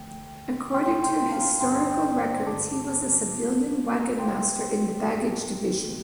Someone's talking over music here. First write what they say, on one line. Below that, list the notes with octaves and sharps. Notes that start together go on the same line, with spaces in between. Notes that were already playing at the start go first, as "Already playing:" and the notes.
According to historical records, he was a civilian wagon master in the baggage division.
Already playing: D2 D3 F3 A3 G5
C3 A3 F4 G5 C6
G5 C6
F5 A5
G2 D3 G3 D4 G5 C6
D5 G5
C5
G2 D3 F3 A5 D6
C2 C3 G3 D4 F4
F2 C3 G3 G5 C6
A2 A3 F4